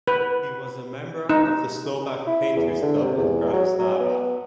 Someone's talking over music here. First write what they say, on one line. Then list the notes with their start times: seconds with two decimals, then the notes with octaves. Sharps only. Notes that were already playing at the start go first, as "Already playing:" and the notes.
He was a member of the Slovak painters club in Bratislava.
0.08 B4
1.29 D#4
2.27 E4
2.56 E2
2.82 D3
3.01 C3
3.16 E2
3.53 F#3
3.78 F#3
4.00 B3